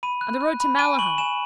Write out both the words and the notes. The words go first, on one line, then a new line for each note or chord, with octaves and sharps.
On the road to Malahide.
B5 D#7
F#6
F#6
B5
G#5 D#7
C#6 F#7
G#5 E7